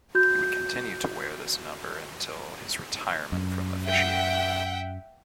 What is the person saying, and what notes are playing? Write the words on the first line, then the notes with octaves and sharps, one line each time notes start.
He would continue to wear this number until his retirement from officiating.
F#4 G6
F#2
E5 F#5 G5